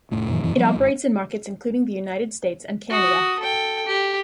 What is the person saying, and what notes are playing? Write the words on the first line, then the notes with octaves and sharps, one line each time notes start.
It operates in markets including the United States, and Canada.
F1 A2
F#2 A#2 D#3 E3
D#1 F#2 E3
F3 G3 A#3 B3
G#1
F#4 D#6
A4 G5
G4